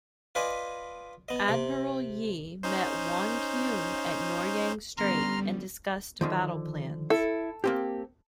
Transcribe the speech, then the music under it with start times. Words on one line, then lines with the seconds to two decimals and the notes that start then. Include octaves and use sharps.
Admiral Yi met Won Kyun at Noryang Strait and discussed battle plans.
0.35 F4 B4 D5 D#5 G#5
1.29 B3 D#5
1.48 C3
2.63 C#4 D#4 C5
4.98 D3 G3 B3 C#4 A#5 C6 F6
6.21 D3 D#3 F3
7.10 E4 A4
7.64 A#3 C4 G4